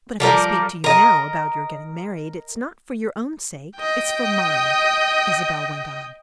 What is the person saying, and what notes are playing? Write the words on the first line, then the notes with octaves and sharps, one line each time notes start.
"But if I speak to you now about your getting married it's not for your own sake, it's for mine," Isabel went on.
F3 G3 A#4
A#4 D#5 A#5
D#5 G5